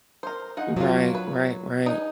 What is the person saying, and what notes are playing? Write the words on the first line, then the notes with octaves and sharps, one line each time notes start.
Right, right, right.
A#4 C5
D#4 G#4 F#5
F3 F#3 A#3 F4 F#4
B4
D#4 G#4 B4